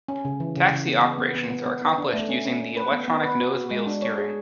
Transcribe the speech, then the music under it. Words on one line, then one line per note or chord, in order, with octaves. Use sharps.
Taxi operations are accomplished using the electronic nose wheel steering.
C#4
C#3
E3
C#3
C#3
B3
B3
B3
B3
B3
B3
B3
D4
A3
C#4
C#4
C#4
B4
B3
B3
B4
F#4
F#4
G#3
D4
C#5
G#4